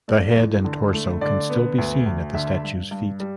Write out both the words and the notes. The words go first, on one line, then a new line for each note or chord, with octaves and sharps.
The head and torso can still be seen at the statue's feet.
A3 D5
E2
D3
A3
D3 D5
B3
D2
D2
D3 E5
G2
G2
G3